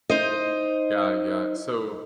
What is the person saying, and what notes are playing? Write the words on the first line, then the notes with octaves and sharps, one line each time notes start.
Yeah, yeah, so,
D#4 C5 D#5